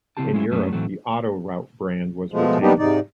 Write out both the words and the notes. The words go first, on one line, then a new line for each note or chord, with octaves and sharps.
In Europe the Autoroute brand was retained.
C#3 C4 E4 G4 A5
F#3 G#3 C#4 E4
F#2 F#3 A3 C#4 D4
A2 E3 F#3 A3 C4 F#4
B2 F3 G#3 A3
G3 A#3 B3 D4 D#4 G4
G#2 C3 D#4 D5